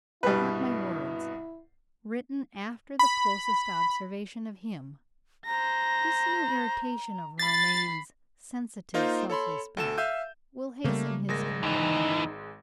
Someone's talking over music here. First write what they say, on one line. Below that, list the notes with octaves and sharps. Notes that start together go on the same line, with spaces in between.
Mark my words, written after the closest observation of him--this new irritation of Romayne's sensitive self-respect will hasten his conversion.
C2 G2 B2 G3 E4 B4
B5
C5 A#5 A#6
B5 A6 C7
A#3 D#4 F4 A#4 C5
A4 C#5 B5 C6
D2 A4 E7
E5 F5 E6 G6 D#7
C#3 G3 A3 A#3
G#1 G#3 A#3 A#6
D#2 E3 D#4